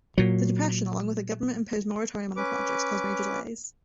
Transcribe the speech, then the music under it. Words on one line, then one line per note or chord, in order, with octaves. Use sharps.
The Depression, along with a government-imposed moratorium on the project, caused major delays.
A#2 F#3
C#4 B4 D6